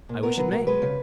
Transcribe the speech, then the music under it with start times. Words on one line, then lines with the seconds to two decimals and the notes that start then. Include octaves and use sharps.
"I wish it may."
0.09 A#2
0.23 B3 A#4
0.37 F#3 B4
0.52 F#3 A#4
0.67 G#3 B4
0.82 C#3